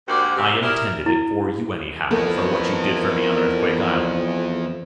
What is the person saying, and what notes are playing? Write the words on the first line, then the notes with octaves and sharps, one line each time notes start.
I intended it for you, anyhow, for what you did for me on Earthquake Island.
D2 G#2 A#3 F#4 G4 D5
C3
G3 E4 G#4 A#4
E4
F2 E3 A3 B3 A#4